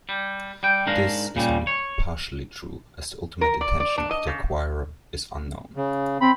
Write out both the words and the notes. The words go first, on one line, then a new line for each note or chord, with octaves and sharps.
This is only partially true as the ultimate intention of the acquirer is unknown.
G3
G3 G5
G#2 D4 A#4 F5
A#2 C#3 G3
C#5
A#4
D5
D5
D4
D#5
C#3
C#3
C4 B5